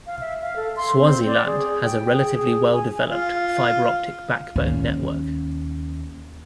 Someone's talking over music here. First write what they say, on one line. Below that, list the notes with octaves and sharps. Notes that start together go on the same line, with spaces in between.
Swaziland has a relatively well-developed fibre optic backbone network.
F5
E5
F5
A4
C6
C4
D5
G#4
G5
G#4
G#5
F4
D#2 C#4